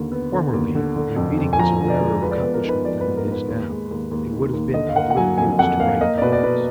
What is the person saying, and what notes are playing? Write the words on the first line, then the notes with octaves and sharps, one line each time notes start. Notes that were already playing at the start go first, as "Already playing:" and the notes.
Formerly, when reading was a rarer accomplishment than it is now, it would have been of little use to write the words.
Already playing: D#2 D3
B3
D3
D#2
D3
D3
F2
F2
G#5
F3 A#5
D3
D5
G#3
F3 B4
D5
B4
B3
A#4
D#4 B4
F3 D5
B4
G#2
A#4
G#2
B4
D#2
G#3
D#2
D#2
D#3
D#2
D3 D#5
F5
A#3 F#5
F#5
F#3 G#5
F2 G#5
F2 F#5
A#3 F5
A#3 D#5
D5
B2 B4
D5
B2 B4